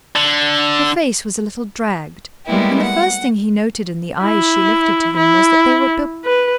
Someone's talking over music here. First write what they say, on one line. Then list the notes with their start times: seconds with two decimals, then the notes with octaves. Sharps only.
Her face was a little dragged, and the first thing he noted in the eyes she lifted to him was that they were bewildered.
0.16 D3
2.46 G3 G#3 A#3 B3 E4 G4
2.81 F#5
4.22 E4
5.17 E4
6.25 B4